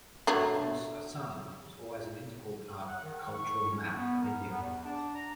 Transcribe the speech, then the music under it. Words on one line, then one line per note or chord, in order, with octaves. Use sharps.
Of course Assam was always an integral part of the cultural map of India.
D3 F#3 A3
F#5
D#3
C#6
C#4
B3
A#4
B3
E2
D4
A#5